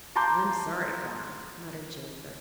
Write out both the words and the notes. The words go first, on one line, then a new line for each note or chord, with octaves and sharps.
"I'm sorry for him," muttered Jimfred.
A5 A#5 C6 D6 G6